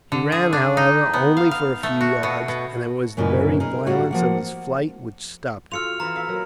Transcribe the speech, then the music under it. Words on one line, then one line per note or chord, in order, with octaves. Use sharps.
He ran, however, only for a few yards, and it was the very violence of his flight which stopped him.
D3
G#4
D4
D#4
B3
F5
F5
A3
F#4
B2
B2
F#2 A#2 C#3 G#3 E4 B4
D#4 G#4 A#4
A2 G3 F#4 F5 F#5
F3 A#3 F#5
F4 F#4 A4 F6 C#7 F7
E3 B3 F4 A#5
A4 E5 F5
F#3 A#3 A#4